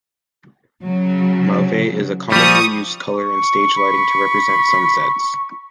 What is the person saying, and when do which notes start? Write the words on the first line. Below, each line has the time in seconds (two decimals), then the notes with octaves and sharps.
Mauve is a commonly used color in stage lighting to represent sunsets.
0.84 C#3 F#3
2.32 F3 G3 C#6 D#6
3.15 C#6
3.77 B5